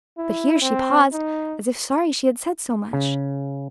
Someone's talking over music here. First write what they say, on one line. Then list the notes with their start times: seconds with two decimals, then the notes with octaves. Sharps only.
But here she paused, as if sorry she had said so much.
0.18 E4
0.62 C4
1.13 D#4
2.93 C#3